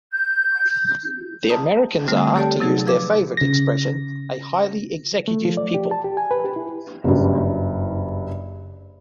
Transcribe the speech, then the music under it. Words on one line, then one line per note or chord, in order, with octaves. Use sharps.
The Americans are, to use their favourite expression, a highly executive people.
G6
A5 A#5 D#6
D3 G3 A3 C4
G4 A4 C#5 D5 G5 A5
C3 F#3 D#4 G#4
F3 B4 D6
C#3 A#6
A3
F3
D5
G4
A5
G4
G#5
B4
G4
E4
F#1 G2